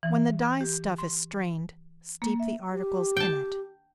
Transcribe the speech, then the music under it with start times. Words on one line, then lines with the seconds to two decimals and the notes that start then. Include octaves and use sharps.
When the dye-stuff is strained, steep the articles in it.
0.03 E3
0.61 G4
0.98 C6
2.22 A#3
2.40 E5
2.72 G4
3.17 G5 A5